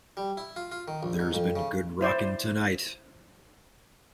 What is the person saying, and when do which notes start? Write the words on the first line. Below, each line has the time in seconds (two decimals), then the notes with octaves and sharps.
There's been Good Rockin' Tonite!
0.17 G3
0.37 E4
0.56 F4
0.72 F4
0.88 D#3
1.03 A#1
1.20 G#2
1.34 F2
1.56 C#3
2.01 E4 C5 D5